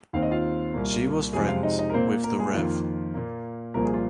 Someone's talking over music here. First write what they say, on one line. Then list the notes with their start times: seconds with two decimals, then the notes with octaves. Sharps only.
She was friends with the Rev.
0.13 D#2 D#3 C4 F5
0.22 D#5
0.31 F4 F5
0.73 C2 A#2 A#3
1.33 F2 C3 F3 G#3 C4 G#4 G#5
1.48 F4 F5
1.63 D#4 D#5
1.79 D#4 D#5
1.90 A#4
1.94 A#2 A#3 C4 C5
2.24 A#3 A#4
2.39 G#3 G#4
2.53 F2 D#3 A#3 F4
3.14 A#2 A#3
3.74 C2 A#2 F3 A#3 A#4
3.85 G#4
3.94 F4